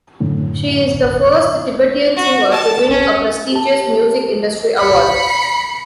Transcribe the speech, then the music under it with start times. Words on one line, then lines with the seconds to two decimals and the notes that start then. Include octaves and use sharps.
She is the first Tibetan singer to win a prestigious music industry award.
0.20 F#2 A2 D3
2.16 F#4
2.52 A5
2.90 C#4
3.52 G4 A5
4.77 B5 C#7